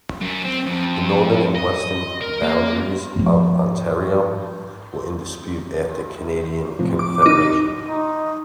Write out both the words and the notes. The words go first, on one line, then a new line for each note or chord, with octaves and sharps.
The northern and western boundaries of Ontario were in dispute after Canadian Confederation.
F#2
C4
F2
D#5
A#4
A#3
G#2 F3
A2 C3 F3
D6
D#4 D6
D#4